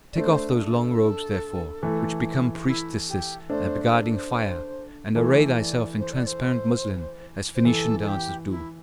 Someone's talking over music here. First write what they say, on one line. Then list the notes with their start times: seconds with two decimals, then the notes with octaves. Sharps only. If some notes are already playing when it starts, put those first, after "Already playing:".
Take off those long robes, therefore, which become priestesses guarding fire, and array thyself in transparent muslin, as Phoenician dancers do.
0.12 D5
0.16 A3 D4 C5
0.58 A4
1.83 E3 A3
2.66 E4
3.08 G4
3.49 A3 D4 C5
3.91 C5
4.02 A4
4.13 C5
5.16 E3 A3 A4
5.28 C5
5.38 A4
5.58 D5
5.99 C5
6.12 D5
6.26 C5
7.54 C5
7.65 E3 A4
7.99 A4
8.07 G4
8.49 E4